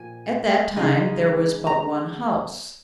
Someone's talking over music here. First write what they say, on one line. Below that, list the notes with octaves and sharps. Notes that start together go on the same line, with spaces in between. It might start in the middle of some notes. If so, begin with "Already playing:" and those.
At that time there was but one house.
Already playing: A#2 F3 G#5
C#3 G#3 D#4
A#5